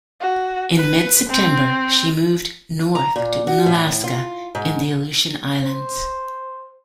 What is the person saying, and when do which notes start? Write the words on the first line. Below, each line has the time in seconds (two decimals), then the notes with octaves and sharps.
In mid-September, she moved north to Unalaska in the Aleutian Islands.
0.20 F#4
0.77 B4
1.29 C4
2.95 A#5
3.16 A#2
3.47 F#4
3.66 A2
4.04 F4
4.55 G#2
5.64 C5